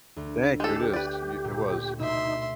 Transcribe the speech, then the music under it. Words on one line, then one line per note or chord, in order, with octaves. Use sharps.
Thank you, it is. Y it was.
D2
G#3 G4 A4
B4 D5
A#2
B2 D#4 E5 C6